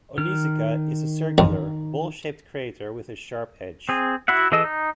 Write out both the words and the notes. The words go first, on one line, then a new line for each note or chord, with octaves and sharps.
Onizuka is a circular, bowl-shaped crater with a sharp edge.
D#3 F6
F2
C4 G#4
E4 F#4 E5 F#5
E3 G#4 A4 D#5 E6
D#4